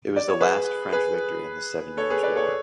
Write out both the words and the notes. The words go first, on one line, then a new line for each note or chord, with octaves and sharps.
It was the last French victory in the Seven Years' War.
D5
C#5
G#4 B4
G#4 B4
A4 C#5
G#4 B4
B4 D5
A4 C#5